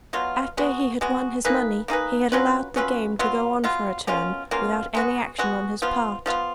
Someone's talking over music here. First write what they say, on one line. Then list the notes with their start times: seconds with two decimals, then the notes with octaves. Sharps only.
After he had won his money, he had allowed the game to go on for a turn without any action on his part.
0.13 B2 F#3 B3 F4
0.57 G#3 B3 F#4
1.01 G#3 B3 F#4
1.45 A#3 D#4 G#4 B4
1.88 A#3 D#4 G#4 B4
2.32 F#3 C#4 F4 B4
2.76 F#3 C#4 F4 B4
3.19 F#3 B3 F4
3.64 F#3 B3 F4
4.07 B2 A#3 C#4 F4
4.51 B2 A#3 C#4 F4
4.95 G#3 B3 F#4
5.38 G#3 B3 F#4
5.82 F3 B3 F4
6.26 F3 B3 F4